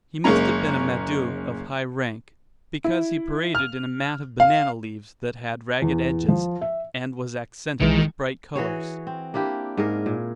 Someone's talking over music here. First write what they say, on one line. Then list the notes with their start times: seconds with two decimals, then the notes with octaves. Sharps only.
He must have been a "mado" of high rank, because he paraded in a mat of banana leaves that had ragged edges and was accented with bright colors.
0.24 F#1 G#3 A#3 C#4 A#5
2.84 E4
3.55 F6
4.40 F5
5.82 E2
6.28 F3
6.62 E5
7.81 B1 D#3 E3 G#3
8.56 E3 F#4 G#4 C#5
9.07 C4
9.34 A#3 D4 E4 G4
9.77 G#2 G#4 A#4
10.06 A#2